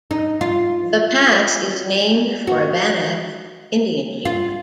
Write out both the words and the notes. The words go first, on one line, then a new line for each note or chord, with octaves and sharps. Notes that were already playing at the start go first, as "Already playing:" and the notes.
The pass is named for a Bannack Indian chief.
D#4
F4
F#4
F4